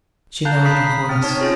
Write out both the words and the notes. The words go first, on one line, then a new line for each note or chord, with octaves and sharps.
She lowered her voice.
F5 A5 A#5 F#6 G6
A#5 B5 D#6 B6 C7
D#6 B6
C4 D#6 F6
D#4 C#5 A5
C#4 F4 G#4 C5